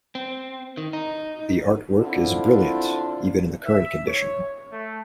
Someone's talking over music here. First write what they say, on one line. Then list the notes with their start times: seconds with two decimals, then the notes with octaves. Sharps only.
The art work is brilliant even in the current condition.
0.15 C4
0.77 D#3
0.93 D#4
2.03 D3 C4 E4 F4
3.64 E5
4.08 C#5
4.72 A3